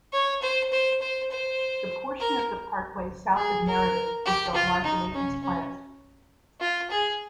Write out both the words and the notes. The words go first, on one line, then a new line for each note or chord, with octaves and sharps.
The portion of the parkway south of Meriden was built largely as planned.
C#5
C5
C5
C5
C5
A#4
G#4
A#4
G4
F4
D#4
C#4
C#4
F4
G#4